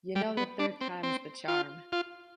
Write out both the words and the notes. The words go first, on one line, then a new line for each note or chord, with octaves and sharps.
You know the third time's the charm.
G3
B3
D4
C4
C4
F4
F4